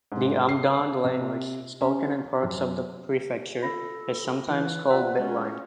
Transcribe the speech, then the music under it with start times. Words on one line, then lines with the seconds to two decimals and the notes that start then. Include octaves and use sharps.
The Amdang language, spoken in parts of the prefecture, is sometimes called "Biltine".
0.12 G#2
0.49 C7
1.04 C3
1.81 C#4
2.43 F#2
3.62 F4 A4 B5 A#6
4.48 E3 B4
4.90 F4 D5 E5 F#5
5.19 G#3 C#4